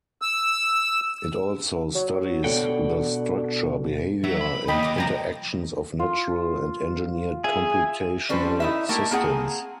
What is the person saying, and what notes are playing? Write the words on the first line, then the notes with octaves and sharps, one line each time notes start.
It also studies the structure, behavior, and interactions of natural and engineered computational systems.
E6
F#3
B2 D3 F#5 G5
F#3 E5
B5
D#3 A#3 D#5 G5 B5
A#4 D6
C2 F3 G5 G#5 A#5
F4
G#4 E5
G3 C#4 A4 B4 C5
D#4 E4 E5
A3 A#3 E4 G4
A#3 C4 G#4 F#5 G#5